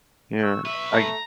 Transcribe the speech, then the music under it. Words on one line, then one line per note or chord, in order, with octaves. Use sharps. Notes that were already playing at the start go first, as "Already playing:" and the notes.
Yeah, I
C#6 E6
B1 B4 E5
A3 A#5